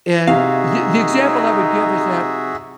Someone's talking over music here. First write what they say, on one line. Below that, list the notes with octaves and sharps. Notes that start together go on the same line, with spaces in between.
And the the example I would give is that
C3 D#4 F#4 G#4 E5 F5